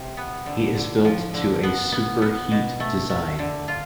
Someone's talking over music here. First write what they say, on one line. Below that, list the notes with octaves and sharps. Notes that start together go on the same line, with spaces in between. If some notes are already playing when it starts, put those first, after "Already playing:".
He is built to a "super-heat" design.
Already playing: C3
B3
D3
D3
F3
D3
B3
B3
B3
B2
A3
A3
D3
F4